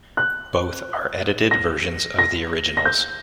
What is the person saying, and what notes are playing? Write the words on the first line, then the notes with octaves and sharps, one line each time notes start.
Both are edited versions of the originals.
F#6
A#6
A#6
A#6
G6